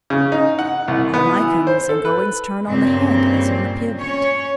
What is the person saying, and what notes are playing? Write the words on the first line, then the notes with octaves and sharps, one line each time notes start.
All my comings and goings turn on the hand as on a pivot.
C#3
D#4
F#5
C2
B3
E3
C5
A4
B4
G2 A#2 C#3 C4
C#4 C#5